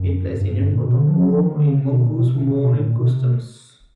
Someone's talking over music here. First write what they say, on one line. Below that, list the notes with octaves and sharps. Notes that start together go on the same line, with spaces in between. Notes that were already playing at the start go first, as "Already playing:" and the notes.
It plays an important role in Manchu's mourning customs.
Already playing: F#2
G2
G2
G2
A#2
B2
D3
F3
F#3
F3
D#3
D3
C#3
C3
B2
A#2
B2
C3
C3
C3
B2
A2
A#2
B2
C3
B2